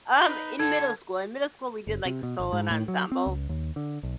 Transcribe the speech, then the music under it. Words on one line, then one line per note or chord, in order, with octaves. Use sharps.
Um, in middle school in middle school, we did like the solo ensemble,
D#4 B4
D3 A4 G#6
F#1
C3
B2
G#1
G#2
A2
F#3
C4
C#2
D#2
D3
B1